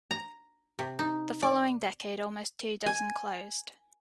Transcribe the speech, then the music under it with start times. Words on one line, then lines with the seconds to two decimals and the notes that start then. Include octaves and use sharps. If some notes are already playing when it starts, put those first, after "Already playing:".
The following decade almost two dozen closed.
0.11 A#5
0.79 C3
0.99 D#4
1.42 D5
2.86 G#5